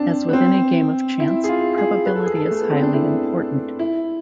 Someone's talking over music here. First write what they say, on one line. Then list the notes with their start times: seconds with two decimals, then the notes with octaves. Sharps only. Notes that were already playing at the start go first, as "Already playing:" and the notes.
As with any game of chance, probability is highly important.
Already playing: C4 D4
0.29 B3
0.33 C4
1.20 E4
1.44 G#4
1.49 F4
1.78 G#4
2.06 B4
2.15 A4
2.26 G#4
2.36 A4
2.51 A3
2.62 B3
2.72 C4
2.82 D4
2.93 E4
3.79 E4